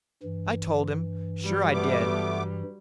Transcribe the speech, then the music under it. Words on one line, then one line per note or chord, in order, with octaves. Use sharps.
I told him; sure I did.
G2 E3
F#3 G3
A3 B3 D6